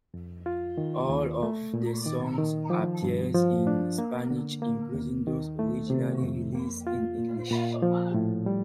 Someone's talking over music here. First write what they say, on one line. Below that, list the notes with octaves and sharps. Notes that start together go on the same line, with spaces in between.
All of the songs appear in Spanish, including those originally released in English.
F2
F4
D#3
D#2
A3
A#2
D#3
D#3
F3
G2
F3
D4
A#3
D3
A#3
D#2
D#3
A3
C3
F2
A#3
F4
A#2
A#2
F3
A2
G3